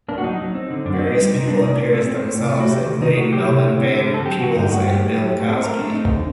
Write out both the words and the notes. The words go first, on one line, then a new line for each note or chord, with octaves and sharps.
Various people appear as themselves, including Melvin Van Peebles and Bill Cosby.
A#3 D4
F#4
F#3 D#4
F#3
C4
D3
F#2 D4
F#4
C4 D#4
G3
C3
D#4
G3 D4
D#4
C3 D5
A2 A#4
C4 A4
C4
A2
C3
A3
F#4
C3 G4
D#3
C3 D#4
A#3 F#4
F#3 G4
C3
D3
C4
D3
D3 A4
F#3 G4
D3 F#4
G2 D#4
G4
G2 F#4
A#3 G4
A2
F#3
A2
C4 A4
C5
A3 A#4
A3 D4
C4 D#4
D3